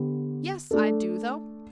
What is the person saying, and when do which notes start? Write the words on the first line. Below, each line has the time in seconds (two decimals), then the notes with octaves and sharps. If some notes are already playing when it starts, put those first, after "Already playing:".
Yes, I do, though.
Already playing: D3 B3 G4
0.71 A3 D4 A4